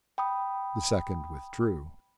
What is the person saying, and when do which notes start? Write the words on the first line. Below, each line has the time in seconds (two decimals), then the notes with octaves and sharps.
The second withdrew.
0.18 G5 B5 D#6